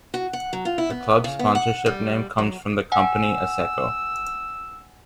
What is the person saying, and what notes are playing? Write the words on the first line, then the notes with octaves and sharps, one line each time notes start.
The club's sponsorship name comes from the company Asseco.
F#4
F#5
F#3
F4
E4
B3
C#3
B3
F#5
G3
F#3
F#5 G#5 E6